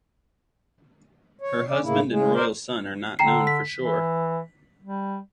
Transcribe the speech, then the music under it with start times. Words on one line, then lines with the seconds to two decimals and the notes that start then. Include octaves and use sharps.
Her husband and royal son are not known for sure.
1.41 C#5
1.68 C#4 D5
1.82 A2 C#3 A#3 E4
2.08 C#3 G#3
2.33 A#4 C5 D5
3.19 D3 G5 A#5 C7
3.47 B6
3.77 E3
4.82 G3